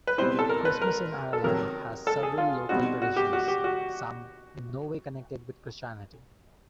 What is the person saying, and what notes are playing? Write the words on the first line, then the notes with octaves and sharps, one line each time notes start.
Christmas in Ireland has several local traditions, some in no way connected with Christianity.
B4
B2 G3 C4 E4 C5
A4
A#4
B4
A#4
A4
C3 D#3 F#3 A#4
A4
G#4
F4
B2 G3 C4 D#4 F#4
F#4
G4
F#4
G4
F#4